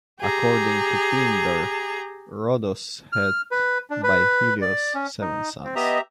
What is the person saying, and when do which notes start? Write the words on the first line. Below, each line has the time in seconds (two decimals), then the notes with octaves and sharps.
According to Pindar, Rhodos had, by Helios, seven sons.
0.20 G4 G#4 A#5
3.12 F6
3.51 B4
3.90 D4
4.04 B4
4.61 D5
4.94 C#4
5.21 D#4
5.64 C4
5.76 B3 G4 D#5 E5 A#5